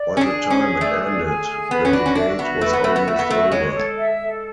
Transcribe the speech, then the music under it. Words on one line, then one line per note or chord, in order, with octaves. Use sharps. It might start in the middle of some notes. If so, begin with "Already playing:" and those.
By the time it ended, the debate was almost over.
Already playing: D5
C#4 G#4
D4
G#5
C#4
G#4
A3 D5
G#4
G#5
G#4
B3 B4
C#4
D4 F#4
C#4
D4 E5
B3 F#4
A3 B4
B3
A3 F#4
B3
A3 E5
B3
A3 F#4
G#3 C#5
A4
E5
A4